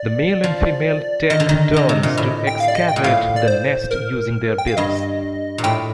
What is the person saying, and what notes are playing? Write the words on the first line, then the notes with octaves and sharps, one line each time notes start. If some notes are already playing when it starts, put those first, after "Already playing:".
The male and female take turns to excavate the nest using their bills.
Already playing: D5
F3
D#3 D#5
D3
D#3
D3 D#5
C3
A#2
A2
G5
F5
D5
D#5
G5
A#2
A2 F5
D5
C5
A#4
G5
F5
G2 D#5
A#2
A2 G5